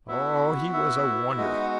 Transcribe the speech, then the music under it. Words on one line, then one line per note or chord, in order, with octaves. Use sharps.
Oh, he was a wonder!
B3 E4 F#4 E5
E4 E5
G#3 B3 D#4 F#4 D#5